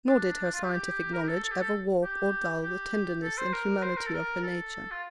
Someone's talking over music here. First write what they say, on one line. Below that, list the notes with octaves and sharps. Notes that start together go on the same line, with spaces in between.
Nor did her scientific knowledge ever warp or dull the tenderness and humanity of her nature.
D4
F4
G4
G4
A#4
G4
A4
A4
G4
A4
G4
G4
A4
C5
A#4
C5
A#4
A4
A#4
A4
F4